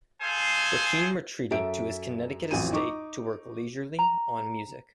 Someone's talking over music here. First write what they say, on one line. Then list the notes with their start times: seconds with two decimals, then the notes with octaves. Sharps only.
Rakim retreated to his Connecticut estate to work leisurely on music.
0.21 G#4 A4 C5 F5 G#5
1.51 F#2 A4 E5 D7
2.51 A1 F2 E3 F#3 G#5 D#7
2.72 D#4 C#6 D6
3.99 A#5